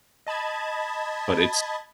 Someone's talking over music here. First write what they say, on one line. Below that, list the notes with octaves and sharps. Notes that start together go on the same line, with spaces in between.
but it's
D#5 A5 B5 G#6